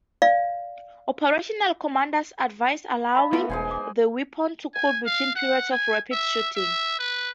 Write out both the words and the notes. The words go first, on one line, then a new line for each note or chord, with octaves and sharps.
Operational commanders advised allowing the weapon to cool between periods of rapid shooting.
D5 F5
D#5 F5 B5
A3 B3 D#4 F4 F5
E1 G#3 C5 G#5
D6
G#5
F5
F#5
G#5
E5
E5
B4